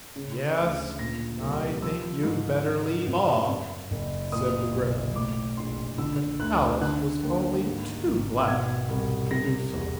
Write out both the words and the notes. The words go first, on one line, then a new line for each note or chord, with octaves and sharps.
'Yes, I think you'd better leave off,' said the Gryphon: and Alice was only too glad to do so.
C#3
D2
A#2 A#6
C2
F3 E6
G#2
C#3
F#2
F#2
F#1
A#2 D#6
B1
A2 D6
A#1 C6
D3 E6
D2 F#6
D3 F#6
D#2
G#2
G#1
B2 G#6
C2
C3 A#6
E2